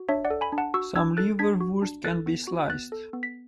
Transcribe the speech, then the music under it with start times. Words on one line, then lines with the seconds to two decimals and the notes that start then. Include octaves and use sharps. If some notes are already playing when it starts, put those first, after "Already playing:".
Some liverwursts can be sliced.
Already playing: F#4
0.09 D4 C#5 E5
0.25 D5 F#5
0.30 A4
0.41 G#5 B5
0.52 D4
0.58 F#5 A5
0.74 F#4 C#6 E6
0.96 D4 E6 G#6
1.17 A4 F#6 A6
1.39 D4 G#6 B6
1.61 F#4
1.82 D4
2.04 A4 F#6 A6
2.26 B3
2.48 F#4
2.69 B3 F#6 A6
2.92 A4
3.13 B3
3.23 B6